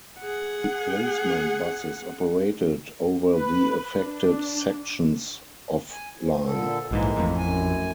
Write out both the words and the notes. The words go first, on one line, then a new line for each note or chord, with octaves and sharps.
Replacement buses operated over the affected sections of line.
G#4 F#5
B4
D4
G#5
F3
A#2 D3 A4
A#1 G#2 E3 G#3 A#3
A1 F2 A2
F#2 G#5